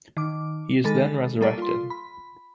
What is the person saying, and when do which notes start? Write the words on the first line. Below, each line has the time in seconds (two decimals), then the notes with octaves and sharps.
He is then resurrected.
0.17 D#3 D6
0.84 D#3 G#3 A4 B5 A6
1.41 G3 A#3 A4 D5
1.58 F4 C6
1.90 B5